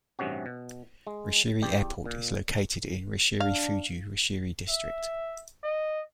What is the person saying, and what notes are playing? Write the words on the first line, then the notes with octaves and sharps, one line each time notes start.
Rishiri Airport is located in Rishirifuji, Rishiri District.
A1 G2 C3 C#4 F#4
B2
G#3
E2 G4 D5
A#2
D4 F5
E5
D#5